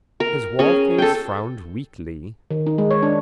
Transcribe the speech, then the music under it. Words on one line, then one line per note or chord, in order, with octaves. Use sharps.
His wallface frowned weakly.
A#4
C#4 G#4
A4 G5
D#3
D#4
G#3
C#5
D4